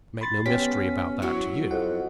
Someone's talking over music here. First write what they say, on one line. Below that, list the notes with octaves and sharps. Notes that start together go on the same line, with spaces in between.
I make no mystery about that to you.
B5 C6 A6
B3 C#4 G4 B6
F#3 E4 F#4
F2 F#5